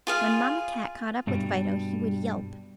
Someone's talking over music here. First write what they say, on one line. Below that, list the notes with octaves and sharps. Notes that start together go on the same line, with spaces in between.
When Mamma Cat caught up with Fido he would yelp.
F4 G#4 F5
G2 B2 G3